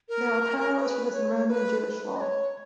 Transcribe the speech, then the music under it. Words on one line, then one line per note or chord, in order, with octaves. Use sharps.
There are parallels for this in Roman and Jewish law.
A#4
C#5
B4
C#5
B4
B4
B4
D#5
C#5